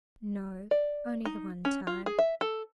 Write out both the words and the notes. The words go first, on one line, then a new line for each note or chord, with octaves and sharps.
"No, only the one time."
D5
D#4
C#4
F4
G#4
E5
A4